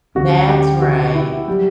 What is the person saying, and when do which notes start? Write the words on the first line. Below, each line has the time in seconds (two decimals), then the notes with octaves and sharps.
That's right.
0.15 D2 D3 A3 C#4 F#4
0.49 G4
0.82 F#4
1.15 E4
1.48 F#3 G3